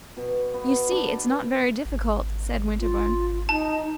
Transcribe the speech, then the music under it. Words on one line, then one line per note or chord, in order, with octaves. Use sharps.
"You see, it's not very difficult," said Winterbourne.
B2
B3
D4
G#1
F4
D#4 A5